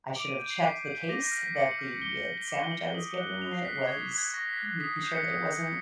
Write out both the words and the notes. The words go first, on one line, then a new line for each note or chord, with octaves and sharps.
I should’ve checked the case that the, uh, sandwich I was getting, was making sure that it wasn't
D6 D7
D#7
G6 D7
C7
D6 B6
G6
D6 A#6
A#6
F6 B6
B6
D6 C#7
F#7
F6
F#7
D6 G7
G6
G7
D6 F#7
G7
G6 F#7
G7
D#6 F#7
F#6
D#6 F7
C7
F#6 B6
C7
C#6 G#6
F#6
G#6
C#6 A#6
B6
F#6
B6
D#6 B6
C7
G6
C#7
D#6
G6